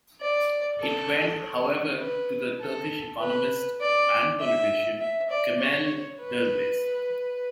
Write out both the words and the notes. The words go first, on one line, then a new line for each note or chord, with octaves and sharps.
It went, however, to the Turkish economist and politician, Kemel Dervis.
D5
A4
C#5
B4
A4
B4
D5
E5
E5
D5
C#5
B4